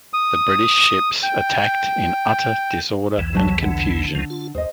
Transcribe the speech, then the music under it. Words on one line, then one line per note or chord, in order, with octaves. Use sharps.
The British ships attacked in utter disorder and confusion.
D#6
G5
B1 E2 E3
C3 F#3 A5
D3 F#5
C#2 D#3 F3
F4
D#2 C5 D#5